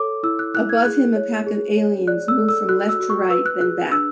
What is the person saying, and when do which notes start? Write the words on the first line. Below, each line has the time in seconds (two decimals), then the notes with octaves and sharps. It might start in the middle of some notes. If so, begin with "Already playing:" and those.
Above him a pack of aliens move from left to right, then back.
Already playing: A4 C#5 D6
0.23 E4 E6
0.39 F#6
0.54 E4 F#6
0.69 G#6
0.85 G#4 F#6
1.16 C#5
1.46 G#4
1.77 C#5
2.08 D5 F#6
2.28 E6
2.39 A4
2.49 E6
2.69 F#4 F#6
2.89 E6
3.00 F#4
3.10 C#6
3.30 B4 E6
3.46 F#6
3.61 G#4 F#6
3.91 D4 E6